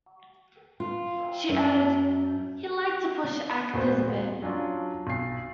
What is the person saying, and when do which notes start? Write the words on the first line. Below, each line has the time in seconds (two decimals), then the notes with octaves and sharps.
She added: "He liked to push actors a bit".
0.80 F4
1.49 F#2
3.74 D#1 G#1 B3 F#4 C5
4.42 F#3 C#4 D4 F4
5.07 B1 C7